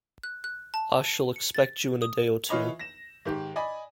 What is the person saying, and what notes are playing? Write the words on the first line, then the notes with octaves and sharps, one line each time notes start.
I shall expect you in a day or two.
F#6
F#6
A5
D#7
C#7
A6
D#6
E3 F4 C#5 D#5 B5
A#6 E7
G#2 D#3 G4
D5 D#5 G#5 B5